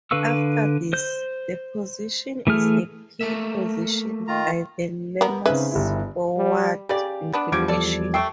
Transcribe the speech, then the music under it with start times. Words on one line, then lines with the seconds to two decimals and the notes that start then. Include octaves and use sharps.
After this, the position is a P-position by the lemma's forward implication.
0.11 D3 B4 F5 C#6 E6
0.93 C5 G6
2.47 E3 A3 G#4 F6
3.21 A3 A#3 E5
4.28 D#3 F4 A#5
5.21 B3 A#4
5.46 C#3 G#3 C4 D#4 B4 E5
5.71 G1 G3 E4
6.37 G3
6.89 C#3 G4 D5
7.33 B3 D4
7.52 E2 F3 G3 D6 G#6 D7
7.68 A4 D5
8.14 A3 G5 C#6 E6 C7